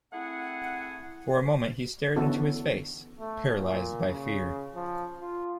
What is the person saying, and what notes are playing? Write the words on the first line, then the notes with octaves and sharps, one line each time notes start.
For a moment he stared into his face — paralysed by fear.
A3 C4 E4 G#4 F#5
D3 E3 B3 C#4 F#4 A4
A3
A#2
C#3
F3
F4